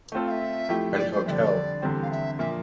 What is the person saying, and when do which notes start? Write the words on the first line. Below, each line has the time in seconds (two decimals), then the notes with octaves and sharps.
An hotel.
0.12 A3 C4 F4 A4
0.27 F5
0.31 E5
0.69 F3 A3 E4 G4
0.98 D5
1.12 C5
1.26 F2 D3 G3 D5 E5
1.82 E2 D3 G3 C4
2.02 F5
2.11 E5
2.39 A#2 F3 A#3 E5